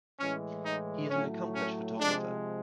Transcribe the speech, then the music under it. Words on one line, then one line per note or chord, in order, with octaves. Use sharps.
He is an accomplished photographer.
A2 E3 G#3 C#4
D#4
A2 F#3 A3 C#4
C#4
C3 F3 G#3 D4